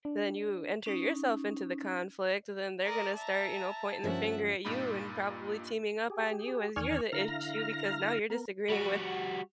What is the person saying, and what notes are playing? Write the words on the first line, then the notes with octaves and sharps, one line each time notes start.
then you enter yourself into the conflict, then they're gonna start, you know, pointing the finger at you and probably teaming up on you, as you're the issue because now you're disagreeing with
D4
C#4 D#4
A#4 D5 D#5
E5 A5 A#5
G2 D3 F3 G3 A#3 C#4 E5 F#5
G2 A#2 A#3 D#4 F4 B5
G4 G#4
E2 D#3 D5 G#5 C#6 F6
D3 E4 F5 A#5 F6 A#6
B3 A#4
G3 F#4